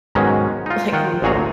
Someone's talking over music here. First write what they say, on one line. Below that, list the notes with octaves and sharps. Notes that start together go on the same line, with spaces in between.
Like, what?
G#2 B2 D#3 F#3 G#3 C#4
D#4 F4
D#3 F4 F#5 G5
A1 A#2 F#3 G#4 C#5 A#5
D2 A#2